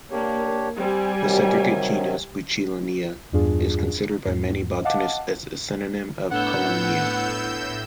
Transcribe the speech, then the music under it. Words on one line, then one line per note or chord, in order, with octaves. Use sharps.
The segregate genus "Bucinellina" is considered by many botanists a synonym of "Columnea".
A#3 D4 G4 C#5
G3 C4 G#5
C3 D#3 F#3
E2 G2 D4 F4 G#4
E2 G#2
D#5 F5 F#5 A5 D6
A2 B3 D4 F#5 E6 G6